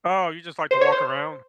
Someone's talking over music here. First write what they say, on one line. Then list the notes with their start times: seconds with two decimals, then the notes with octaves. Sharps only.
Oh, you just like to walk around?
0.71 C5
0.81 C#5
0.92 C5